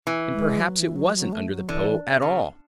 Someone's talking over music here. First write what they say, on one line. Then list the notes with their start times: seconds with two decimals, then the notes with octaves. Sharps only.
And perhaps it wasn't under the pillow at all....
0.07 E3
0.34 G#3
0.61 F#3
0.79 E3
0.96 F#3
1.15 F#3
1.33 A3
1.51 F#3
1.69 D3 E3
2.22 C#3